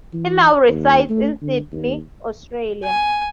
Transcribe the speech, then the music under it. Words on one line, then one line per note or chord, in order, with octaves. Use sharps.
He now resides in Sydney, Australia.
E3
D#2
A3
D3
D#2
G#5